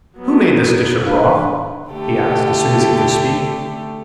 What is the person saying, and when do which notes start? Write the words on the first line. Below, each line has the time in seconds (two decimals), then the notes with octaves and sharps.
"Who made this dish of broth?" he asked as soon as he could speak.
0.18 F#3 B3
1.06 D4 B4 F5
1.89 D3 A3 G4